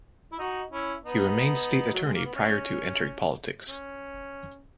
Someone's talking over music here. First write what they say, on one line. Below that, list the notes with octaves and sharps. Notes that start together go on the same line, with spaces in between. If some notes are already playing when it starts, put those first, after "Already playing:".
He remained State Attorney prior to entering politics.
E4
D#4 F#4
C#4 E4
B3 D#4
F#3
G#3
A#3
B3
C#4
C#4